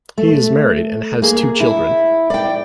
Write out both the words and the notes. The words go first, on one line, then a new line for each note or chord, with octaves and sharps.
He is married, and has two children.
A3
A#3 G#4
E4
D5 G5